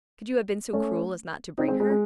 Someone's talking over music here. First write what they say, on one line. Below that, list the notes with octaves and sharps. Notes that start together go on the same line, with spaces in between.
"Could you have been so cruel as not to bring her?"
A3 C#4
C4 D#4
G#3 C4
G#3
G#3